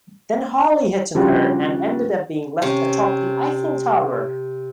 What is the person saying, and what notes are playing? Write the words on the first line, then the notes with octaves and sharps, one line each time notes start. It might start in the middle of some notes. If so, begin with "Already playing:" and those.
Then Harley hit on her and ended up being left atop the Eiffel Tower.
C#3 F3 G3 D4 F#4 G4
C3 C#4